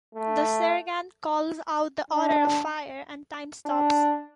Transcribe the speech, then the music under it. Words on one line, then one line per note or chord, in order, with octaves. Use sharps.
The sergeant calls out the order to fire, and time stops.
A3
D4
D4